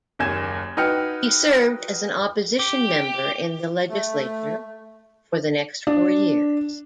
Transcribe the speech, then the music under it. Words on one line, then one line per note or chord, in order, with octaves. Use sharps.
He served as an opposition member in the legislature for the next four years.
F#1 D#2 G#5 G#6 E7
D#4 F#4 B4 G5 F6 C#7
G4
A3
D4